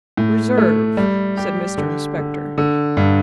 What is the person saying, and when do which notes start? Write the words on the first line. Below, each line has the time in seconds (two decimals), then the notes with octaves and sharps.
'Reserve!' said Mr Inspector.
0.17 A2
0.57 A3
0.97 G3
1.37 G4
1.78 D3
2.18 D3
2.58 D3
2.97 G2